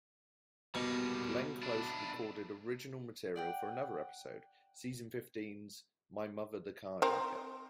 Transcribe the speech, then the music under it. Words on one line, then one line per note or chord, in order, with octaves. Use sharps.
Glenn Close recorded original material for another episode, season fifteen's "My Mother the Carjacker".
B2 G3 A#3
D4 E4
D5 F#5 G5
C4 A#4